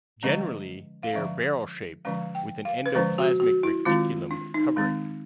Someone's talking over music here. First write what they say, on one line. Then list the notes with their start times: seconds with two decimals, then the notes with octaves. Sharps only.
Generally, they are barrel shaped, with an endoplasmic reticulum covering.
0.23 D3 F3 G#3 C#4 D#5
1.03 F5
1.14 D3 F3 G#3 C#4 E5
2.05 D3 F3 G#3 C#4 F5
2.35 G5
2.65 F5
2.86 B4
2.95 D3 F3 G#3 C#4 C5
3.18 F#4
3.40 F#4
3.63 E4
3.85 D#3 G#3 C4 F4
4.31 D4
4.54 D#4
4.76 D#3 G#3 C4